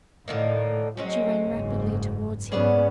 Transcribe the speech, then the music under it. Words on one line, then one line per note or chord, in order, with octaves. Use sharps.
She ran rapidly toward him.
A2 D3 D#3 A#3
F#3 G#3 C4 C#4
F#1 G#2
G#2 B3 C#4 G#4 D5 F#5